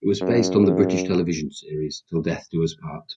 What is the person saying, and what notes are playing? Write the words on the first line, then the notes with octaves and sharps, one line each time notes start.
It was based on the British television series Till Death Us Do Part.
F#2
F#2